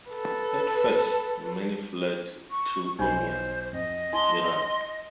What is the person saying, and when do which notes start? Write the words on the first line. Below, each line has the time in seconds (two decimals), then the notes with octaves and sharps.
At first, many fled to Urmia, Iran.
0.11 A4 B4
2.50 C#6
2.99 B1 D#4 C5 G#5 B5
3.73 F2 D#5
4.13 E4 G#5 A5 C6